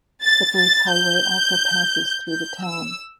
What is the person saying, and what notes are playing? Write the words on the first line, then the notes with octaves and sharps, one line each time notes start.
The Bruce Highway also passes through the town.
A6
A6
G6
G6
E6